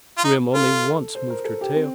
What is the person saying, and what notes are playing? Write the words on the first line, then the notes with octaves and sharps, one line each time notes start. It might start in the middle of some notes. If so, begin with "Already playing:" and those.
Grim only once moved her tail.
F4
D#4
F4 A4
C5
A#4
A4
G4
C4